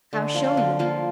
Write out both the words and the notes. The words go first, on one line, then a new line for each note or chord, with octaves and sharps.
I'll show you.
D3
F3 A#3 F4
D3
F3 A#3 F4